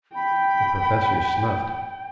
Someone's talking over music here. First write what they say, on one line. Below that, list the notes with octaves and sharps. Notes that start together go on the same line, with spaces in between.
The Professor snuffed.
G5 B5